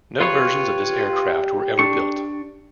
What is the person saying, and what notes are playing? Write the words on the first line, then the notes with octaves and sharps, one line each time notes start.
No versions of this aircraft were ever built.
F4 G4 B4 C#5
D4 C#6